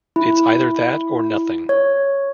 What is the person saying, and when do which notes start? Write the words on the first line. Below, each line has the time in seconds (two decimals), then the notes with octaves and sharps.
It’s either that or nothing.
0.16 E4
1.69 C#5